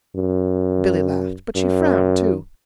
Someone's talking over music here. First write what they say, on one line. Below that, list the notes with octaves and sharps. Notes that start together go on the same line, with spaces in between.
Billy laughed, but she frowned, too.
F#2
F#2